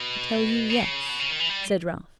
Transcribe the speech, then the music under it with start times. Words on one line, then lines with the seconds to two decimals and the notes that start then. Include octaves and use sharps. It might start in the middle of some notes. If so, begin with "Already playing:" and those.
I tell you yes,' said Ralph.
Already playing: B2
0.70 C#3
1.09 B2
1.20 C#3
1.29 D#3
1.40 E3
1.49 G3